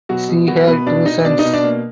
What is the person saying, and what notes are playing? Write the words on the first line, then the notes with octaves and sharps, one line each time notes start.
She had two sons.
B2 F#3 F#4
B2
F#3 B3 F#4
A#4
B2 B3 B4
B2 D4 D5
B2 D#4 D#5
B2 D4 D5
D#4 D#5
B2
D4 D5
A#3